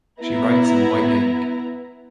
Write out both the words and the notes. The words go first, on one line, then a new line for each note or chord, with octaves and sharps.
She writes in white ink.
B3 E4 A#5